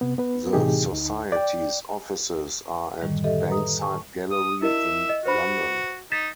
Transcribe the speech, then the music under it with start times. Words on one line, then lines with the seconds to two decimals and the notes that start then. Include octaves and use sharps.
The Society's offices are at Bankside Gallery in London.
0.01 C3 B3
0.18 B3 B4
0.53 A2 C3 E3 D#4 G4 G#4
0.92 D2 D#4
1.32 D5 G5
3.02 F#2 A2 D3 D#3 G3
3.24 G4 A4 D#5 E5
3.48 B4 A#5 D#6
3.79 G#5 A5 C#6
4.31 D#6
4.62 E4 A#4 D#5 E5
5.09 D#5
5.25 F#4 B4 C5 B5
6.12 D#4 A6 B6 E7